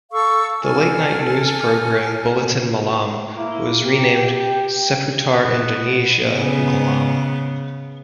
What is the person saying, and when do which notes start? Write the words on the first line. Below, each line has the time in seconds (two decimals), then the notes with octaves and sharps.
The late night news program, Buletin Malam was renamed Seputar Indonesia Malam.
0.12 A4 F5 C#6 E6
0.61 A4 G#5 F6
3.38 A#3 E4
3.83 G4
4.16 G5
5.33 B3
6.27 C#3 B3